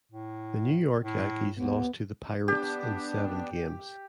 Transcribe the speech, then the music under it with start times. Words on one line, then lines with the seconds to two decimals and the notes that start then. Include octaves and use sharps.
The New York Yankees lost to the Pirates in seven games.
0.12 A2
1.01 A2
1.58 D#2 B3
2.48 B3 D4 G4